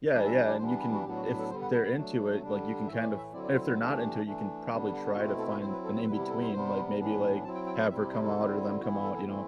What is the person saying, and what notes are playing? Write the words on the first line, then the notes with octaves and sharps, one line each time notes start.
Yeah, yeah, and you can if they're into it, like, you can kind of and if they're not into it, you can probably try to find an in-between, like, maybe, like, have her come out or them come out, you know,
E3 G3 D4 D5
E5
F#5
D5
E3 G3 B3 D4 C5
B4
G4
F#4
A2 F#3 B3 D4 G4
F#4
G4
A4
D3 G3 B3 C5
F#5
A5
G5
F#3 A3 D4
D3 G3 D4
A2 E3 A3 E5
D5
E5
D3 F#3 C4 E4 D5
D5
C5
B4
E3 A3 D4 G4
E3 A3 D4
D3 G3 B3 D4
B2 A3 C4 E4 F#4
G4
A4
B4
F#3 C4 E4 C5
B4
A4
G4
C3 G3 B3 E4 B4
G4
A4
C5
C3 G3 B3 C5
A2 E3 B3 D4
F#3 C4 E4 A5
G5
G5
F#5
C3 G3 C4 E4 E5
D5
C5
A4
D3 G3 C4 E4
E3 B3 E4 F#4
G4
A4
A4
E3 A3 C4 E4 G4